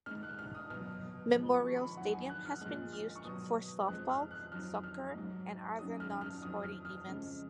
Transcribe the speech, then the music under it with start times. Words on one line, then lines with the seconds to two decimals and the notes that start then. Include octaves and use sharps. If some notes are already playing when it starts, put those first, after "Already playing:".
Memorial Stadium has been used for softball, soccer, and other non-sporting events.
0.06 G#2 D#3 G#3 F6
0.23 F#6
0.39 F6
0.55 D#6
0.70 B2 F#3 F6
1.34 A#2 F3 G#3
1.55 C#6
1.76 B5
1.97 F2 D#3 F#3 F#5
2.13 G#5
2.29 F#6
2.45 F6
2.61 A#2 F3 G#3 F#6
2.93 F6
3.16 C#6
3.24 B2 F#3 D#6
3.88 F2 F3 G#3 F#6
4.09 F6
4.31 F#6
4.51 F2 D#3 F#3 F6
4.84 F6
5.15 G#2 F#3
5.79 F#2 D#3 F#3 D#6
6.00 F6
6.21 F6
6.42 F2 D#3 F#3 D#6
6.64 F6
6.85 F6
7.06 F2 C#3 G#3